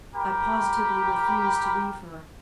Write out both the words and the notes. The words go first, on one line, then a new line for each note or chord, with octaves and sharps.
I positively refused to leave her.
G4 A#4 G5 B5